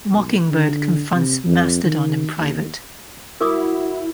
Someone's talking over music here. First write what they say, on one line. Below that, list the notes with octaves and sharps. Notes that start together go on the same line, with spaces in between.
Mockingbird confronts Mastodon in private.
B1
D3
C3
F2
D#3
D#2
E4 F#4 A#4 D6 D#6